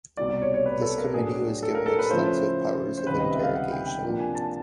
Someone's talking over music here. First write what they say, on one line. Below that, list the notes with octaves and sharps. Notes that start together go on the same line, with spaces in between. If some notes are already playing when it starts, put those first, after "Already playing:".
This committee was given extensive powers of interrogation.
C2 B2 G3 D5
D5
C#5
C#5
B4
A4
A#4
A2 F#3 A3 D4 G#4
A4
A#4
A4
B4
C#3 F3 A3 C#4 E4 C5
C5
C#2 C3 D#3 G3 B4
D#5
E5
F5
F#5
G5
G5
C3 F3 A#3 D4 F4
G#5
A5